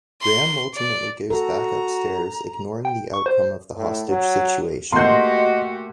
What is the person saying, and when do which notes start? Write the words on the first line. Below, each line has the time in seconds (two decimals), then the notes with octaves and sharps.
Graham ultimately goes back upstairs, ignoring the outcome of the hostage situation.
0.22 C6
0.74 D5
1.30 F#4 A4 A#5
2.85 G5
3.14 C#6
3.26 C5
3.76 A2
4.09 F#3
4.92 A#2 A3 F#4 G4 D#5 C6 G6